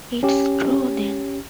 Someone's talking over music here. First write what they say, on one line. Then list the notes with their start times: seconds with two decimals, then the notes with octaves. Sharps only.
It’s true, then!
0.23 C#4 G4